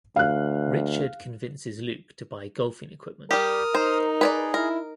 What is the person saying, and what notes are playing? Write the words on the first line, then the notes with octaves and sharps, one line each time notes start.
Richard convinces Luke to buy golfing equipment.
D2 F5 F#6
G3 G4 A#4 D#6 F6
D#4 C5
G#4 B4 C#5 D5
E4 A#4